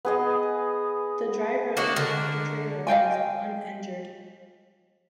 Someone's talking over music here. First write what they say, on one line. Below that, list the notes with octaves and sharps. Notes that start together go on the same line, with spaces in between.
The driver of the tractor trailer was uninjured.
B3 G#4 D#5
A#3 D4 D#4 F#4
D3 A#4
D#5 F5 G5 G#5